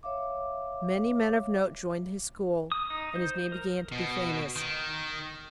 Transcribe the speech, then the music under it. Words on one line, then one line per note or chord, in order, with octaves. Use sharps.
Many men of note joined his school, and his name began to be famous.
C#5 E5 F5 D6
D#6
D#4
C5
A#4
B2
D#3